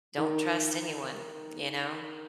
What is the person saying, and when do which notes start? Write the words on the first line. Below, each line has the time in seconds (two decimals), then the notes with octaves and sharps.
Don't trust anyone, you know.
0.18 D#3